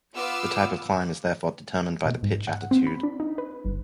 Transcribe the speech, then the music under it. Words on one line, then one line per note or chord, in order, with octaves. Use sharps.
The type of climb is therefore determined by the pitch attitude.
B3 F4 B4 F5 D6 E6
B2
G#2
F#5
C4
B5
D4
D#4
B4
G1